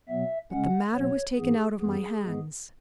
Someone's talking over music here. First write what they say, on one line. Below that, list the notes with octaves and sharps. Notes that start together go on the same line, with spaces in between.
But the matter was taken out of my hands.
B2 F#3 B3 E5
C#3 G#3 C#4 F#5
B2 F#3 B3 C#5
G#2 E3 B3 G#4
F#2 E3 B3 G#4
G#2 E3 G#3 B3